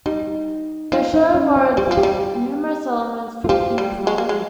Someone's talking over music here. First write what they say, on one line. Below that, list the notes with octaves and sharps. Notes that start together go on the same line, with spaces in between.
The show borrowed numerous elements from King's novel.
G3 D#4
F3 D#4
D#4
C#4
C4
G3 G4
F3 F4
G4
G3
F4
F3 G4
G3
G#3
A#3
G#3